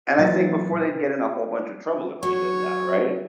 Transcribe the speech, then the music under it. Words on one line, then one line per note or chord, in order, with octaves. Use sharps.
And I think before they'd get in a whole bunch of trouble if they did that, right,
A#2 E3 F#3 A6
F#3 C#5